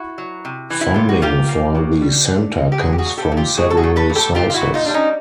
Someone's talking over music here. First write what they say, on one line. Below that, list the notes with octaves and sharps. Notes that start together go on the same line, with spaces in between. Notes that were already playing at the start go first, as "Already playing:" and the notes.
Funding for the centre comes from several sources.
Already playing: E4 F#4
F#3
C3
E3
E4
C3 F4
F#4
A#3 F4 G4
A#3
B2
G3
D3
A#3
G4
A#2 F#4 G#4
G4
F#4 G#4
A#2
G4 A4
A#2
F4 G4
F#3 F#4 G#4
A4
F#4 G#4
A3
A4 B4
A#2
G4 A4
A#2 F4 G4
F4
E4 F#4
A#2
D#4 F4
G3 D4
C#4 D#4